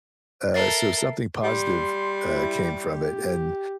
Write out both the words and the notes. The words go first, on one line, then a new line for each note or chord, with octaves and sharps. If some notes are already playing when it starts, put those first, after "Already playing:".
uh, so, something positive, uh, came from it, and
A4 A#4 E5 A6 C7
G3 C6
E4
G4